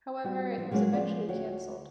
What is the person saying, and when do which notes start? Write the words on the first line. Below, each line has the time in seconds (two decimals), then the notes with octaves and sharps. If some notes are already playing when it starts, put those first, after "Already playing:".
However, it was eventually cancelled.
0.24 G3 F#4
0.58 F3
0.71 F#3 G#3 A#3 C#4 F#4 C#5
0.93 F3 B4 D5
1.28 D2 F#4 C#5 G5